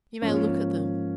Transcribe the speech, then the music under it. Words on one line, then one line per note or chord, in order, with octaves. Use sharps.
"You may look at them."
G#2 F3 A#3 C#4